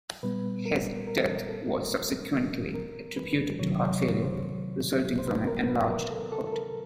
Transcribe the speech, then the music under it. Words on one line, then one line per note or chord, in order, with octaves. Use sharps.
His death was subsequently attributed to heart failure resulting from an enlarged heart.
A#2 G3 B3 B4
A#4
A#4
A4
A4
A#4
A#4
B4
C#2 C3 D#3 F#3 C#5
C#5
C#5
C5
C5
B4
A#4
B4
A#4
A4
A4
A4
A#4